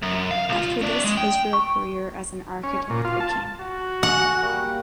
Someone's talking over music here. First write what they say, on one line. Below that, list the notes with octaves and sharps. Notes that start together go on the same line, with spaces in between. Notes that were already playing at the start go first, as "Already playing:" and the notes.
After this his real career as an architect began.
F#2
F5
C2 F4
C#4 D5
G#3
G5
C#6
C#4
A#2
F4
A5
F#4
G#4 F#5
G3 A#3 G4